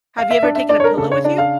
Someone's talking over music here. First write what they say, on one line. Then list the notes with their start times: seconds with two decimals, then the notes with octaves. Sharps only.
Have you ever taken a pillow with you?
0.18 F5
0.31 E5
0.42 D4 D5
0.56 E5
0.69 D4 D5
0.80 C#5
0.84 A#4
0.97 C#3 A4
1.12 C#5
1.24 D4 D5
1.38 F5